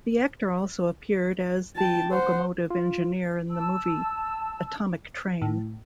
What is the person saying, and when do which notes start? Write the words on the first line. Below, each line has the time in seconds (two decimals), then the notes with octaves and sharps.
The actor also appeared as the locomotive engineer in the movie "Atomic Train".
1.76 G5 A5
2.11 C5 F#5
2.70 F4
3.50 A5 E6
5.42 A2